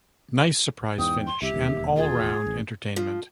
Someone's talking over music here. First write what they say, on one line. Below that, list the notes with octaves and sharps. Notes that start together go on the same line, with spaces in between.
Nice surprise finish and all-round entertainment.
E2 G#2 G5 D#6
C6
C2 G4 E5
E1 D#2
F4 G#4
A1
F3